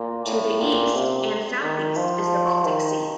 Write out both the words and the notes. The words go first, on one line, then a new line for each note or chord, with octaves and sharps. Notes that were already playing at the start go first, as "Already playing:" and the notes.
To the east and southeast is the Baltic Sea.
Already playing: A#2
A2
A#2
C3
D#3
F3
D#3